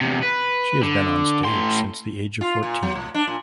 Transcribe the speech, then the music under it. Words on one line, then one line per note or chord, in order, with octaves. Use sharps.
She has been on stage since the age of fourteen.
E2 C3
B4
D3
A2 C6
F4
A#2
F#3
A2
D4
A#2